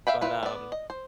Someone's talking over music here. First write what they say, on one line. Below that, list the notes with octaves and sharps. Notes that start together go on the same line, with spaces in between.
But, um,
E5 F5 G5 B5
E4 F4 B4
B3 D5
D#5
C5